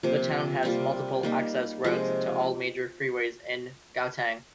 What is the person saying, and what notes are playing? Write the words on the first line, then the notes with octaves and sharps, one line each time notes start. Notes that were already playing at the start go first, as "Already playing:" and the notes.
The town has multiple access roads to all major freeways in Gauteng.
C3 F3 A#3
C3 G3 A#3 F4
G3 A#3 D#4
C3 F3 G#3